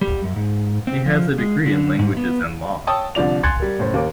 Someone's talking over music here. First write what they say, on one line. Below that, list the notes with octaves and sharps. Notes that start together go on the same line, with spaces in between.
He has a degree in Languages and Law.
G3
F#2
G#2
C4
F3
G#3
D3
G#2
B3
C#5 G5 A5 D#6 E6
C2 D3 F3 D5 F7
G#5 C6 F#6 G#6 A6 C#7
G3 A#4
F#1 A2 C5
D#2 A#4 D6